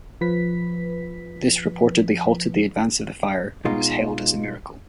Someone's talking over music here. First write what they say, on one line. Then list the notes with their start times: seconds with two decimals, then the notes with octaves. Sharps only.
This reportedly halted the advance of the fire and was hailed as a miracle.
0.21 F3 B4 B6
3.65 B2 G#3 D#4 F4